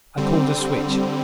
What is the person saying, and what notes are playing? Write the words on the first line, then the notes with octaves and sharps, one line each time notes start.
I pulled a switch.
D3 G3 C4